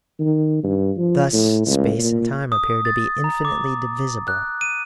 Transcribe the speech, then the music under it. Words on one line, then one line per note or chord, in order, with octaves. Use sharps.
Thus space and time appear to be infinitely divisible.
D#3
G2
F3
A2
C#2
A#2
D#6
A6
A#5
D6
F#6
D#7